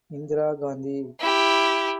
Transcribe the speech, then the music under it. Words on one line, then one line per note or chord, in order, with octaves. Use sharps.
Indira Gandhi.
E4 G4